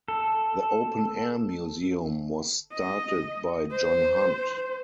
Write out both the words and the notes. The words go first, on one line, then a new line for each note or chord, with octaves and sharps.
The open-air museum was started by John Hunt.
A4
D#5
C5